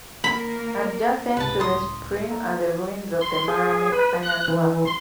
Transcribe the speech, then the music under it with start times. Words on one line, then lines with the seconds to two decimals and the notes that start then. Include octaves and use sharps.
Adjacent to the spring are the ruins of the Maramec Iron Works.
0.24 A#3 A#4 B5
1.37 C#2 G#2 C3 B4 A5
1.60 C#2 A2 C6 D#6
2.29 A#3 A4 A#5
3.21 C6
3.48 G#4
3.92 B4
4.23 F#6
4.48 E3
4.85 C6